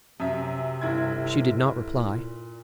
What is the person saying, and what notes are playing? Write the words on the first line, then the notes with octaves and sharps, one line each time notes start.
She did not reply.
F#2 C3 E5
G1 E4 G#6
A#2